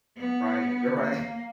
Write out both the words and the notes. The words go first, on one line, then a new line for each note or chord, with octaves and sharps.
R right, right,
B3
A#3